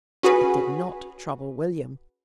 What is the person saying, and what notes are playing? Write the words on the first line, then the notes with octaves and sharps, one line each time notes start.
It did not trouble William.
C#4 F#4 G#4 B4